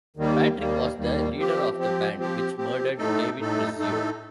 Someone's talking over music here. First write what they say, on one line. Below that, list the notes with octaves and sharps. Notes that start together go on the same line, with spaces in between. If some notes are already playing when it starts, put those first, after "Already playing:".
Patrick was the leader of the band which murdered David Rizzio.
D#2 D#3 G3 A#3
D#2 D#3 G3 A#3
D#2 D#3 G3 A#3
F3 C4 G4
F3 C4 G4
F3 C4 G4
F3 C4 G4
A2 A3 D#4 A4
A2 A3 D#4 A4
A2 A3 D#4 A4